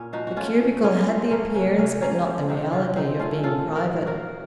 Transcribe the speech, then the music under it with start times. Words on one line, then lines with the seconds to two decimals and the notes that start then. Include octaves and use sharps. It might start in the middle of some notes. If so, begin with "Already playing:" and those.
The cubicle had the appearance, but not the reality, of being private.
Already playing: A#2 A#3 C#4
0.13 F3 D#4 F#4
0.27 F#4
0.36 A3 C#4 F4
0.60 A#2
0.83 A#2 A#3 C#4
1.08 F3 C4
1.31 A3 A#3 C#4
1.54 C3 A#3 C#4
1.77 C3 A#3 C#4
2.02 F3 A#3 C#4
2.25 A3 C4
2.49 C3 C4 D#4
2.72 C3 C#4 F4
2.96 F3 C4 D#4
3.19 A3 C#4 F4
3.43 A#2 F4 A4
3.68 A#2
3.75 F#4 A#4
3.90 F#3
4.07 F#4 A#4
4.15 A#3